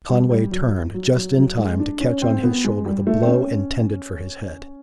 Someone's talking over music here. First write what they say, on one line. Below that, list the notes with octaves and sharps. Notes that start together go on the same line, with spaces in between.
Conway turned just in time to catch on his shoulder the blow intended for his head.
G3
G3
F#3
F#3
F#3
F#3
G#3
D4
C#4
C4
B3
G#3
G3
A3
C4
C#4